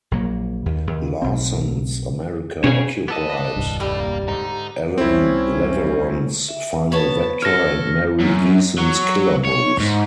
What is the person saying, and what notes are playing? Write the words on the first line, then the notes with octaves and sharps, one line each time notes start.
Larson's "America Occupied", Allan Leverone's "Final Vector", and Mary Eason's "Killer Moves".
A#1 F#3 A#3
D#2
D#2
B1 C4
B2 C#4 G#4 G#5
B3 G4 A4 D#5 A5
D4 B4 D#5
D#1 C2 G2
G3 E4 A4
A#3
G#2 D3 D#4
C2 C4 C#4 E4
E5
B3 B4 C#5 A5 B5
A4 C#5 F6 A#6
F#2
F#3
C#5
G#2